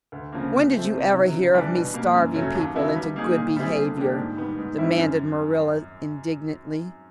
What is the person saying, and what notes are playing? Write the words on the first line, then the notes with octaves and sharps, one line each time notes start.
"When did you ever hear of me starving people into good behavior?" demanded Marilla indignantly.
D2
C#3 F3 A#3
C#3
F3 A3 C4
C3
D#3 F#3
C#3
E3 G3 B3 D4
B2
G3 A#3
F#2
C#3 F#3 A3 C#4
D#2
C#3 F#3 B3 E4
G3
A#3 D#4 G#4
A#2
G3 C4 E4 G#4
D3
F3 A#3 D4 G4
G#2
D#3 G3 B3
G#2
D#3 G3 C4 E4
F#2